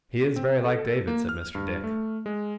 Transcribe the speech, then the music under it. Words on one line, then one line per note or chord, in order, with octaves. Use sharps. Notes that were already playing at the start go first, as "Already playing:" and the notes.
'He is very like David!' said Mr. Dick.
C4
A4
A#3
F6
G2
A3
G#3